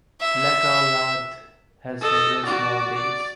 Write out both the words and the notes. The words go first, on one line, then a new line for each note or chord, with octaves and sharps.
Lac au Lard has several small bays.
E5
A4 D#5
F#4 D5
D5